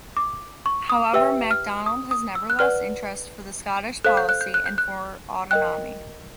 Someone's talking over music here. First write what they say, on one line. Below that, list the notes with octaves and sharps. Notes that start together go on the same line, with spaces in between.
However, MacDonald has never lost interest for the Scottish policy and for autonomy.
D6
C#6
D#6
G4 B4 E5 G5 E6
F6
D#6
D#6
E6
F#6
B4 D5 F#5 F6
A4 C5 F5 F#6
G6
F#6
G6
F#6
G6
F#6
A#4 D#5 G5 F#6